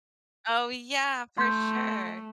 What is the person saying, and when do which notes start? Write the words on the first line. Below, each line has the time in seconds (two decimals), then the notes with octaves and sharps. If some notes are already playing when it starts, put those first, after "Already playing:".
Oh, yeah, for sure.
1.38 A3 C6 G6